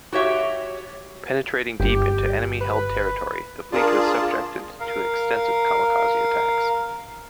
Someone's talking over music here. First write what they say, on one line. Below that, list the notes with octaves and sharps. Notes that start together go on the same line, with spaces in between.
Penetrating deep into enemy-held territory, the fleet was subjected to extensive kamikaze attacks.
F#4 G4 C#5 E5
G1 G4
B4
D4 F4 G#4 A#4 A5
A#4 F5